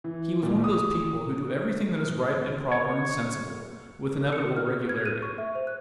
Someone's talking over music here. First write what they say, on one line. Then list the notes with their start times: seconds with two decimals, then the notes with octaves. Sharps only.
He was one of those people who do everything that is right and proper and sensible with inevitable regularity.
0.04 E3
0.43 A#2
0.64 D#6
2.72 C#5
4.21 A4
4.33 C#7
4.44 F#4
4.56 F6
4.70 G#4
4.89 G#6
5.05 D#7
5.22 C#6
5.38 E5
5.55 C5
5.67 F#6